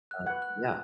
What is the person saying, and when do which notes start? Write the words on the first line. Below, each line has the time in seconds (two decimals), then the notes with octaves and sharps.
uh, yeah.
0.11 F#6
0.27 B4 F#5
0.42 F#6